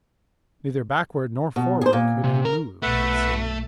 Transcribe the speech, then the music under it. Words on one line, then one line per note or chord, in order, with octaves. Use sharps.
Neither backward nor forward could he move, it seemed.
B2
G#4 C5
A#2
C3
A#4
B1 A3 B4 E5 F#5